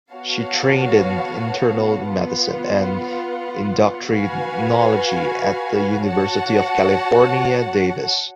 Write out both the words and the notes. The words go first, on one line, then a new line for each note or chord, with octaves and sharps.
She trained in internal medicine and endocrinology at the University of California Davis.
B3 F#4 C#5 F5 A5
B3 F4 B4 F#5
F#4 B4 F5 G#5
F#4 C#5 F#5 A5